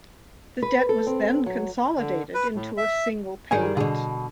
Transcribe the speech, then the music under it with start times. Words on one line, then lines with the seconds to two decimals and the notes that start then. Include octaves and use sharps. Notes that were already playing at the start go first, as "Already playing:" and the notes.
The debt was then 'consolidated' into a single payment.
0.63 B4
0.89 A4
1.07 C4
1.46 F#3
1.98 D3
2.34 B4
2.55 A2
2.77 E5
3.51 G2 D#3 G#4 G#5
3.62 G3
3.77 B2 D3 G#4